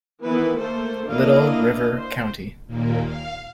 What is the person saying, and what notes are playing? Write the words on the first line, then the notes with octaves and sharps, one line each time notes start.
Little River County.
D#3 E3 B3 E4 B4
A3 A#3 A4 C5
A#3 D4 E4 D#5 F5
C5
D#2 A#2 A#3
F5